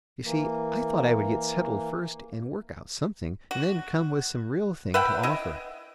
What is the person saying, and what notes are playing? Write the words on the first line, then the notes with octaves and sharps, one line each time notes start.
You see, I thought I would get settled first and work out something, and then come with some real thing to offer.
E3 A#3
F#4
B4 E5 F#5 G5
E4 D#5